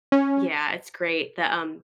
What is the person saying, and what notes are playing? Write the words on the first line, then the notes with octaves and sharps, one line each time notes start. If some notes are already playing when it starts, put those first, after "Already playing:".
Yeah, it's great. The, um,
C#4